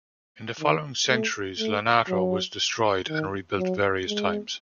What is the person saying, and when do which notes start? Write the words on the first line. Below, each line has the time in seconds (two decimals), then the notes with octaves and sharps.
In the following centuries Lonato was destroyed and rebuilt various times.
0.60 D#3
1.09 A3
1.59 A3
2.09 F#3
3.08 D#3
3.58 F#3
4.08 G#3